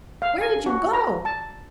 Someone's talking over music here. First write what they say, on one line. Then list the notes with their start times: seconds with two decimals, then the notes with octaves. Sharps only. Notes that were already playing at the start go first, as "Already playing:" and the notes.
"Where did you go?"
0.22 F5
0.41 G#5
0.66 F#4
0.93 A#5
1.25 A5